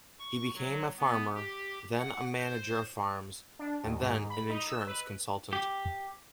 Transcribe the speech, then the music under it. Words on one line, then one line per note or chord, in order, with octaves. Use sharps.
He became a farmer, then a manager of farms, and then an insurance consultant.
C#6
F#3
B3
G4
F#5
C5
D4
D#2
G#2
B5
D#4
E6
B4
G4